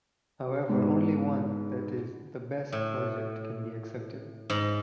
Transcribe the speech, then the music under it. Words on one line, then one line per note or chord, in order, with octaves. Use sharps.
However, only one, that is, the best, project can be accepted.
G#2 B3
A2
G#2